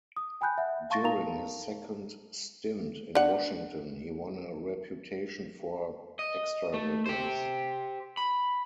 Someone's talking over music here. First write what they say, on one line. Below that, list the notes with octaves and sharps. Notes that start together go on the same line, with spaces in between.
During his second stint in Washington, he won a reputation for extravagance.
D#6
G5 G#5 B5 F#6 G6
E5 F#5
F5 A5 C6 C#6 A6 A#6
D#4 A#4 F5 A5 A#5 F7
D4 F#5
D#5
A3
G4 C5
B5